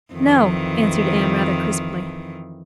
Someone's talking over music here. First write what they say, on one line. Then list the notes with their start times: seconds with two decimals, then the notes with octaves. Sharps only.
"No," answered Anne, rather crisply.
0.13 F2 D#3 E3